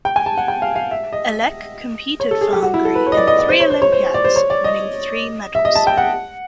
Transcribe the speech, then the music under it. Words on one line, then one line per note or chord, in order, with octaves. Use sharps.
Elek competed for Hungary in three Olympiads, winning three medals.
G5
G#5
A5
F#5
G5
F5
F5
E5
D#5
C#5
A4
G#4
G4
F#4
E4
A4
B4
C#5
D#5
D5
D#5
D5
C5
C#5
C5
C#5
C5
D5
C5
C#5
D5
D#5
E5
D#5
A5
G5
F#5